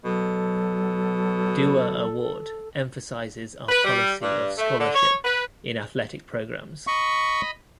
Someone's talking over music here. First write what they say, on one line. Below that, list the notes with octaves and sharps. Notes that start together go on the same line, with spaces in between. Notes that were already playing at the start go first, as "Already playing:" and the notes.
Duer Award emphasizes our policy of scholarship in athletic programs.
B2 F#3 A4
B4
G3
G2
A3
D3
C#5
B4
D#5 B5 C#6